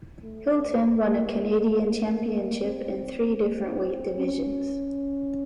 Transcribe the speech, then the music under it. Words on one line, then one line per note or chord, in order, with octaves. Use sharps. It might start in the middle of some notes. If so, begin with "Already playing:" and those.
Hilton won a Canadian championship in three different weight divisions.
A3
A#3
C4
C#4